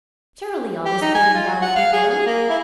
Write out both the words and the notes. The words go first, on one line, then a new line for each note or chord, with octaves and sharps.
Surely all was good and well with the world!
G4
D#4
G#5
F4
F#4
F#5
F5
G#4
G#4
A#3
E4